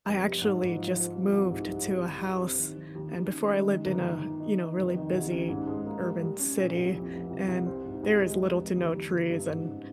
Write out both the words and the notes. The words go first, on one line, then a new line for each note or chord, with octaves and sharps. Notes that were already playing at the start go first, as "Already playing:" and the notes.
I actually just moved to a house, and before I lived in a, you know, really busy urban city, and there is little to no trees, and, uh,
F1
G3
G#2
G#2
F3
F3
C3
C2
G#2
G3
C2
G3
G2
C4
D#3
D#3
D#2
D#3
C#4
G#3
D#3
G1
D#3
D#3
D#4
D#4
F1
D#3
C2
C#4
G#2
G#3
A#3
G3
G3
C#4
A#2
C2
F2
F1
C2
C2
C4
G#2
C2
G#3
F1
F1
D#2
G3
G1
G2
G#2
C#4